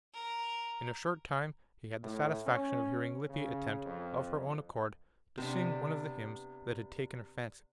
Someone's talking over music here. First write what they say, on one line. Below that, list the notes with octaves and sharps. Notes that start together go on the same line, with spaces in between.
In a short time he had the satisfaction of hearing Lippy attempt, of her own accord, to sing one of the hymns that had taken her fancy.
A#4
A2
C#4
C#3
F2
C3 B3 D4